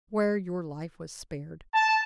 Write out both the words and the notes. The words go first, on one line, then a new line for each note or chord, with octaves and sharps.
Where your life was spared!
A5